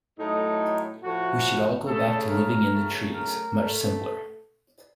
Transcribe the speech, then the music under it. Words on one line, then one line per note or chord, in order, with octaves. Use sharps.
We should all go back to living in the trees, much simpler.
A2 F#3 A3 D#4
A2 F3 A3 F#4
C#3 A3 A4
A#4
F#2 C#3 A3
A#4
A3